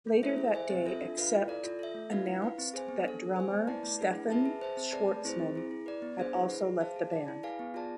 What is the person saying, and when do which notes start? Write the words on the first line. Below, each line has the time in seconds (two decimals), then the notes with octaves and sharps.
Later that day, Accept announced that drummer Stefan Schwarzmann had also left the band.
0.07 A3
0.23 E4 A4 C5 E5
0.38 G#4
0.54 C5 E5 G#5
0.70 C4
0.86 F4 A4 E5
1.01 D4
1.17 F4 B4 F5
1.32 E4
1.48 A4 D5
1.64 F4
1.79 A4 E5
1.95 A3
2.11 D4 F4 B4 F5
2.26 E4
2.42 B4 F5
2.58 C4
2.74 G#4 C5 G#5
2.89 B3
3.05 D4 A4
3.20 G#4
3.36 C5 G#5
3.52 B3
3.67 E4 B4 D5 A5
3.83 A3
3.99 D4 G#4 B4
4.14 E4
4.30 G#4 B4 E5 A5
4.46 G#4
4.61 C5 E5 A5
4.77 C4
4.92 G#4 B4 D5 A5
5.09 A3
5.25 C4 E4 G#4 C5
5.39 C4
5.55 E4 G#4
5.71 E4
5.86 B4 D5
6.02 B3
6.18 D4 G#4 C5
6.34 E4
6.49 G#4 B4
6.65 G#4
6.80 C5 F5 A5
6.96 G#4
7.12 D5 A5
7.28 E4
7.43 G#4 B4 F5 G#5
7.59 B3
7.74 F4 G#4 D5 A5